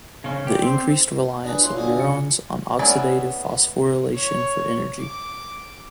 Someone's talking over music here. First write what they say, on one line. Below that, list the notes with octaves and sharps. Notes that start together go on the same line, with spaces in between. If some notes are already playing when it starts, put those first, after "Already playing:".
The increased reliance of neurons on oxidative phosphorylation for energy.
C#3 C#4
G4 D5
C4
D4 G#4 B4
E4 F4 C#5 C6
D3 F4 F#4 G#4 D5 G#5
C3 C#7
B3 C#4 E4 G#4 D5
C#5
D6